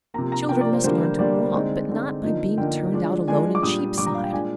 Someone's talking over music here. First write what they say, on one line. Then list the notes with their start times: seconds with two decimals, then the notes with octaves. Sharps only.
Children must learn to walk, but not by being turned out alone in Cheapside.
0.14 C3 F3 A#3 A#5
0.32 A#5
0.49 C3 F3 A#3 G5
0.61 D5
0.73 C5
0.84 D3 G3 A#3 D4 C5
1.18 D3 G3 A#3 D4 D5
1.53 D3 G#3 C4 D#4 D5
1.89 D3 G#3 C4 D#4
2.23 D3 F3 A#3 D#4 D#5
2.58 D3 F3 A#3 D#4 G5
2.92 F3 G#3 D4
3.27 F3 G#3 D4 G#5
3.55 D6
3.62 A#2 G3 D4 D#6
3.98 A#2 G3 D4 D6
4.06 A#5
4.15 F5
4.24 G5
4.32 A#2 G#3 D4 G#5